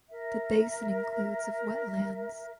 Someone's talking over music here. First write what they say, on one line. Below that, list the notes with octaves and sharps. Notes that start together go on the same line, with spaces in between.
The basin includes of wetlands.
A#4 E5